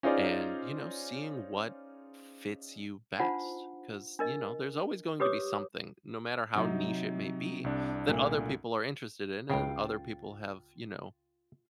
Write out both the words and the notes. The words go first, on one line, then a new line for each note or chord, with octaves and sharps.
and, you know, seeing what fits you best, 'cause, you know, there's always going to be something, no matter how niche it may be, that other people are interested in and other people have, you know,
C#4 D#4 F4 G#4 C5 D5
D4 D#4 F4 C5 F#5
D4 A#4 D#5
G4 B4 C#5 D6 D#6
C3 F#3 D#4
C2 D4
A#2 A3
C#2 C#3 F4 F5 G5